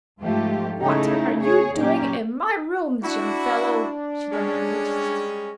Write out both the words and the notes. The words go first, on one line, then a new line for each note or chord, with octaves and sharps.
"What are you doing in my rooms, young fellow?" she demanded.
G#2 F3 A3 F4 G4
C#3 A3 C#4 D#4 E4
G#4 C#5
A#2 F#3 A#3 C#4 G4
D4 E4 F#4
G3 G#3 C#4